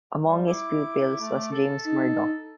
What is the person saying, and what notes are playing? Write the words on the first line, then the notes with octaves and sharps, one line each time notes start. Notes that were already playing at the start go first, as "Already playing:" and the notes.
Among his pupils was James Murdoch.
G3
E4 D6
A3
A4
D#4